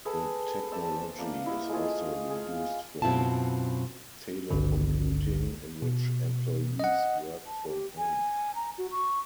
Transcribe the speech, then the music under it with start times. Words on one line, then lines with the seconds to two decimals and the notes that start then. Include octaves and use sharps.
The technology is also used for telecommuting, in which employees work from home.
0.05 G#4 A4 B4 E5
0.71 C5 D5 E5 A5
1.18 A#3 D5 E5
1.46 E4 D#5 F#5
1.69 G#3 A3 F4 G#4
2.30 G#4 F5
3.02 F#2 B2 C4 E4 F4 A5
4.51 G#1 C#2 G2 D3
5.82 B2
6.80 D#5 F#5
7.46 A5
7.68 G4
7.98 G#5
8.55 A#5
8.78 F#4
8.92 C#6